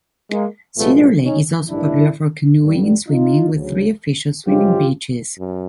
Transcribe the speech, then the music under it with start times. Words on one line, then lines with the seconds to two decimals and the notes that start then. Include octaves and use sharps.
Cedar Lake is also popular for canoeing and swimming, with three official swimming beaches.
0.31 G#3 A#3
0.77 C2 A#2 F3 G#3 A3 B3
1.23 C#4 D#4
1.69 A1 G2 D#3 D4 E4
2.62 A1 G2 D3 G3
3.07 D#4 F4
3.53 D2 C#3 F#3
4.46 F#2 C#3 F3 G#3 F4 G4
5.38 F#2